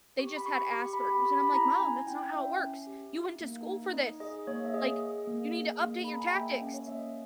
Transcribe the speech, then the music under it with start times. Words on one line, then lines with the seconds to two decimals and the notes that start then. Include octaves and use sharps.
They just had Asperger's," and I'm like, "Mom, that's not how it works. You went to school for this. Like, you need to update your tactics."
0.19 G4 C#6
0.36 B5
0.46 G4 C#6
0.72 G4 C#6
0.93 B5
1.00 G4
1.13 B5
1.26 G4
1.33 B5
1.44 B5
1.53 E4 A#5
1.80 C#4 G#5
2.07 E4 G5
2.24 G5
2.33 C#4 E5
2.60 C#4
2.87 G4
3.14 D#4
3.41 A#3
3.67 D#4
3.93 D#4 D#5
4.20 G#4 D#5
4.47 A#3 C#5
4.65 E5
4.74 G#4 D#5
5.01 G#4
5.27 A#3
5.54 G#4
5.81 A#3
6.04 B5
6.08 G#4 A#5
6.19 G#5
6.27 G5
6.34 A#3 E5
6.54 D#5
6.61 C#4
6.74 C#5
6.87 A#3 E5
6.95 D#5